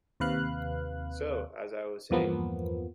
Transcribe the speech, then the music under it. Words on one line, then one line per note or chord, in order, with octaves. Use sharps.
So, as I was saying.
D#2 C3 B4 F5 F#6
E2 G2 F3 A#3 B3